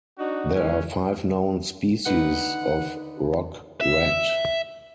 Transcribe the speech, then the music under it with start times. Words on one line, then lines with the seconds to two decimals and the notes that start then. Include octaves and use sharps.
There are five known species of rock-rat.
0.19 D4 D#4 F#4
0.55 A#2 E3 G#3 C#4
2.06 D3 D#4 B4 F#5
3.81 E5